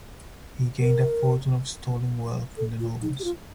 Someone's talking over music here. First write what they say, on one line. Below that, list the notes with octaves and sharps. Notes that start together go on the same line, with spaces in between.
He gained a fortune of stolen wealth from the nobles.
A#4
A4
F4
D#4
G4
F4